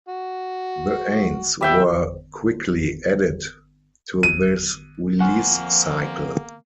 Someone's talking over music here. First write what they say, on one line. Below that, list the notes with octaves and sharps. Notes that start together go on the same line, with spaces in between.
The Aints were quickly added to this release cycle.
F#4
G3 B3 E5 G5
D#7
F3 A#3 C4 F4 F#5 G#5 C#6 F6